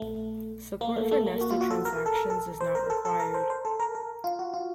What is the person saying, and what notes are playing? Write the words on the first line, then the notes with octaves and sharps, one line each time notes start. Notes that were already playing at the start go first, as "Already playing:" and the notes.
Support for nested transactions is not required.
Already playing: A3
A#3
A3
A3
A#3
F#4
F4
F#4
A4
A#4
A4
A#4
A4
C5
A#4
A4
A4
A#4
C5
C5
A4
A#4
A#4
F4
F#4
F4